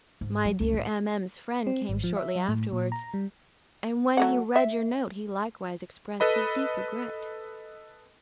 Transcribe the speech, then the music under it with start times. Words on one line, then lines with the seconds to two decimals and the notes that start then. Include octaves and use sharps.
My dear M---- M----'s friend came shortly afterwards, and when he read your note he likewise expressed his deep regret.
0.21 G#2
0.45 F#3
0.60 C#2 F#2
0.73 A2
1.67 C4
1.89 G#1
2.04 F3
2.17 E5
2.36 F#3
2.48 A2
2.73 A#2
2.92 A#5
3.14 G3
4.17 F#3 A3 F#5
4.56 E5
6.20 A4 B4 D#5 B5